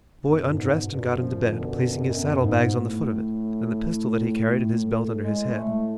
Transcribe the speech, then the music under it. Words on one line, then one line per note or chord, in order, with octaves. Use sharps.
The boy undressed and got into bed, placing his saddle bags on the foot of it, and the pistol that he carried in his belt under his head.
F#2 B2 D3
G#2
F#2 B2 D3
C#3 F3
B2 D3
F2
F#2 B2
G#2
A2
A2 G#3
A3